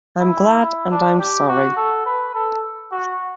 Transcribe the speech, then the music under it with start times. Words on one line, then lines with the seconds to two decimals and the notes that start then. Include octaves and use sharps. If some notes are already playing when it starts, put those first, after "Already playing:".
I’m glad and I’m sorry.
0.19 E4
0.62 E4
0.91 D4
1.19 G4
1.48 F#4
1.76 A4
2.06 B4
2.35 A4
2.91 F#4